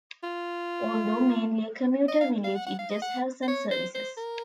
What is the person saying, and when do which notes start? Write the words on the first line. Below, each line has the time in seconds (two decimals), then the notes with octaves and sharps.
Although mainly a commuter village it does have some services.
0.23 F4
2.08 D#5
2.20 F5
2.44 F5
2.55 F#5
2.66 F#5
2.79 F5
2.90 D#5
3.02 F#5
3.42 C5
3.48 C#5
3.71 C5
3.94 C5
4.17 A#4